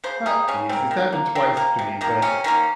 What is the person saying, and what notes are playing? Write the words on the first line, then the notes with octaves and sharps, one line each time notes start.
"Oh, jeez," it's happened twice to me, but
C#3 C5
G3 A#3 G#4
C#3 C#4
G3 A#3 C4
D#3
A#3
D#3 C4
A#3
C3
D#3 A#3
C3 C#4
D#3 A#3 C#4